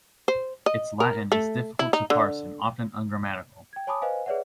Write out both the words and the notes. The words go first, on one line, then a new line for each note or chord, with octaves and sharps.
Its Latin is difficult to parse and often ungrammatical.
C5
D#5
A#4
A3
E4
D#4
D3
G5 G#6
C#5 G#5 A5 B5 D6 D#6
B4 C5 D#5 F5 G#5
G#4 B4 C#5 D5 E5 F#5